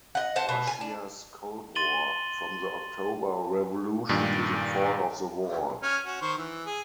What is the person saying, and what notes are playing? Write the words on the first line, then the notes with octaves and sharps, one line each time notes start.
Russia's Cold War: From the October Revolution to the Fall of the Wall.
D#5 F#5
C5 F#5 A5
B2
G#5
D4
C6 A6 D#7 F#7 G7
G2 A#2 D#3
C#4 G#5 F6
C#4 F#4
D#3 C5 C#6
E3
G#4